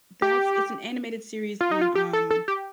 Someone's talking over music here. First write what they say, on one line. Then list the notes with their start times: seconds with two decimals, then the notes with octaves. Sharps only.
That's it's an animated series on, um,
0.22 G4
1.61 F4
1.71 D#4
1.81 F4
1.95 G4
2.13 A4
2.31 A4
2.48 G4